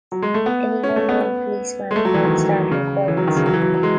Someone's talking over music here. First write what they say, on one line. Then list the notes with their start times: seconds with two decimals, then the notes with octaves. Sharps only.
Any wandering policeman might start inquiries.
0.12 F#3
0.22 G#3
0.34 A3
0.46 B3
0.83 C#4
0.96 A3
1.09 B3
1.21 B3
1.91 G#3
1.96 A3
2.05 F#3
2.14 E3
2.24 D#3
2.71 C#3
3.08 E3
3.17 F#3
3.27 D#3
3.36 C#3
3.46 F#3
3.54 E3
3.62 F#3
3.74 F#3
3.83 G#3